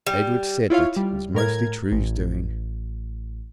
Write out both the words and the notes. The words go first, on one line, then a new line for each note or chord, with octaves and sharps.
Edred said that it was mostly True's doing.
G3
E4 F4 C#5 F5
G3
A2 A#4 G#6
A1